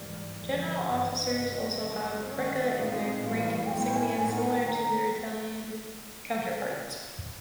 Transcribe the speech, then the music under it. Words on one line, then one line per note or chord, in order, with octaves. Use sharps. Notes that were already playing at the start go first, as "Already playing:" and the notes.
General officers also have Greca in their rank insignia similar to their Italian counterparts.
Already playing: G#2 E3 G3 A#3 D5
F2 D3 F3 A#3
G1 G2 E3 D#5
D#5
C3 D#3 G#3
F#2 C#3 F#3 A#3
C5
G2 D#3 G#3 C#4 C#5
D5
D#5
E5
A#2 G3 C4 D#4 F5
B1 A2 E3 G3
G#5
B1 A2 F#3 B3 E4 G5
G#5
B1 A2 F#3 A#3 D#4 G#5
F#5
F#5
G5
A#5